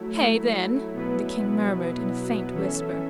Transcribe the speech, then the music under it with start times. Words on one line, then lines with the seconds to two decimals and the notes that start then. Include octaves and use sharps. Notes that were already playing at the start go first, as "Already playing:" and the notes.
'Hay, then,' the King murmured in a faint whisper.
Already playing: F#3 A3 E4
0.93 B2 F#3 B3 E4 B4
2.54 E3 C#4 A4 E5